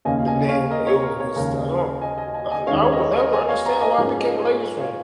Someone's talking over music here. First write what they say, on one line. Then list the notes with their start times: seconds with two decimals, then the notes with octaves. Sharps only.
but then it was just, I don't I I will never understand why I became a Lakers fan.
0.05 D#2 C#3 A#3 C#4 D#5 G#5
0.28 D#5 G#5
0.49 C#5 F5
0.70 A#4 D#5
0.87 C#5
1.04 A#4
1.20 C#5
1.36 D#2 C#3 G#3 C#4 A#4
2.01 D#5 G#5
2.18 D#5 G#5
2.34 D#5 G#5
2.51 D#5 G#5
2.67 D#2 D#3 G#3 C#4 C#5 F5
2.83 C#5
2.93 D#5
3.00 C#5
3.17 A#4 D#5
3.32 D#5 G#5
3.49 C#5 F5
3.66 F5 A#5
3.81 D#5 G#5
3.98 G#2 F3 G#3 C#4
4.20 D#5 G#5
4.42 C#5
4.80 C#5 F5